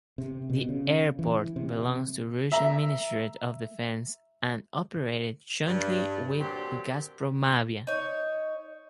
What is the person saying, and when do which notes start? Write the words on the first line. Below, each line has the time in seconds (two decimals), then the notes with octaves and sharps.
The airport belongs to Russian Ministry of defence and operated jointly with Gazpromavia.
0.18 C3
0.50 B2
0.69 C#3
1.19 E3
1.56 C3
2.52 E5 A#5
5.67 G2
6.39 A#2 D3 F#3 C4 G4
7.87 D#4 C#5